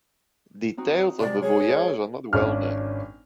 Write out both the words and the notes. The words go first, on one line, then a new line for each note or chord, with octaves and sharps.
Details of the voyage are not well known.
C4 D#4 F#4
C3 G#3 D5
G#4 C#5
G#1 C#4 D4 F6